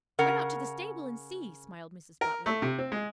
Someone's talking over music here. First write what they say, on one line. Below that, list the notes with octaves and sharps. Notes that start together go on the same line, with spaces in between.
"Run out to the stable and see," smiled Mrs. Butler.
C#3 A#4 F#5
A#4
A3
C3
C4
G#3